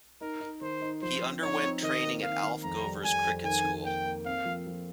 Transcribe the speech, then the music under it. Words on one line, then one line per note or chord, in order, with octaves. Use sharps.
He underwent training at Alf Gover's cricket school.
D#4 A#4
D#4
D#3 C5
D#4
F3 C5
C4
D#4 C#5
C4
D#3 D#5
A#3
D#3 F5
D#3
F2 A#5
G3
F2 G#5
F2
D#3 G#5
D#3
A#3 G5
A#3
C4 F5
F3
F3